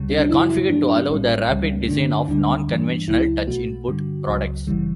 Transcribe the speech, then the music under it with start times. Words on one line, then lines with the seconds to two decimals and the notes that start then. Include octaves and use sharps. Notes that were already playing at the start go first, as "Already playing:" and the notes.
They are configured to allow the rapid design of non-conventional touch input products.
Already playing: C#2 C#3 G3
0.10 C#4
0.19 D4
0.29 F#2 C#3 F#3 E4
0.41 F#4
0.49 E4
0.69 G2 F#3 A3 D4
0.83 D4
0.96 C#4
1.09 A1 A2 G3
1.49 C#2 C#3 G3
1.81 C#4
1.88 G2 D3 A3 D4
2.28 D2 D3 G3 D4
2.68 G2 E3 G3
3.08 C#2 C#3 F#3 E4
3.47 B1 B2 A3 F#4
3.87 G2 D3 G3
4.27 C#2 C#3 F#3
4.67 G1 F#2 C#3 E3 G3